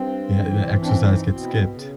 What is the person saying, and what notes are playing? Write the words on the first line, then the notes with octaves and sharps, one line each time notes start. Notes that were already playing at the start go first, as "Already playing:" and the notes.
Yeah, the exercise gets skipped.
Already playing: G2 C4
E3
C4 D4
C#4
D4
D#4
B2
E4
C#3